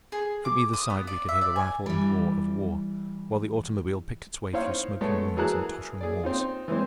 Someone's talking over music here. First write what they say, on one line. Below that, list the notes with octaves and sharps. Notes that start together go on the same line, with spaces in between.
From either side we could hear the rattle and roar of war, while the automobile picked its way through smoking ruins and tottering walls.
G#4
D6
D#6
B3
D5
E5
D5
G#5
E3 G3
D#4 E4 C5 C#5 F5
G#3 A3 B3 C#5
E3 F#3 G#4 A#4 A5 F#6
G#4 D5
C4 D#4 F4
E3 G#3 C4